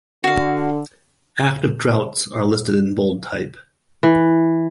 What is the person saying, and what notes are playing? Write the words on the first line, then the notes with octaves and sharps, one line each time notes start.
Active droughts are listed in bold type.
D3 F#4 F5
E3